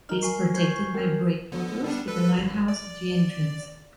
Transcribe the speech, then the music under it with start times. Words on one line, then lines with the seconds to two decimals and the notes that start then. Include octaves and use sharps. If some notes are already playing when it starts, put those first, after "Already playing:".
It is protected by breakwaters, with a lighthouse at the entrance.
0.09 D#4 A#4 F6
0.23 G#5 C#6 C7
0.54 C5 C#6 G6 G#6 C7
0.94 C4 F#4 A#4
1.52 D3 B3
1.84 G3 B3 D4
2.08 A4 B4
2.39 G#1
2.68 D5